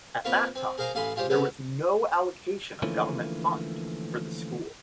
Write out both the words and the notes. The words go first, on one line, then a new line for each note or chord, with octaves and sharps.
At that time there was no allocation of government fund for the school.
A#3 C4 F4 A#4 B4 C#6
C4
G#4 A#4 C5 F5 G#5 A#5
A1 A3 F5 G#5 B5 C6
G#3 F4 G4 C5 C#5
C3 F#3 D#4 A4 B4
D3 E3 F3 A3 A#3 C#4